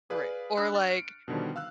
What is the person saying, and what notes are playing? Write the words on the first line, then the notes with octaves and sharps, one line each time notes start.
Right. Or, like,
G#4 B4 D5 F5
D4 B5 E6 F#6
C#6 F6 A6
C#7 D7
B2 D3 D#3 F3 G3
F5 E6 F#6